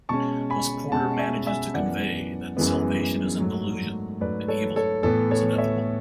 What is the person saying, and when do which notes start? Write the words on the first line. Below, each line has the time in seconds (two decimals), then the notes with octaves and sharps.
Thus Porter manages to convey that salvation is an illusion, and evil is inevitable.
0.09 B2 G#3 C#4 A5 C#6
0.50 G#5 B5
0.92 B2 G#3 C#4 F#5 A5
1.19 E5 G#5
1.46 E5 G#5
1.74 F#2 E3 G#3 B3 D5 F#5
2.57 F#2 E3 G#3 B3
3.39 G#2 F#3 A3
4.21 G#2 F#3 A3 B4 D5
4.48 A4 C#5
4.76 A4 C#5
5.03 A2 E3 B3 A4
5.31 A4 C#5
5.58 C#5 E5